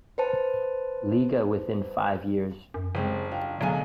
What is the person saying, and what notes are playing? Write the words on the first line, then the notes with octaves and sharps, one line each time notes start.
Liga within five years.
B4 C5 A5
F#2
F#1 G3 G#3 C4
D4 F4 G4
D2 B2 F#3 D4 G#4 F5 G#5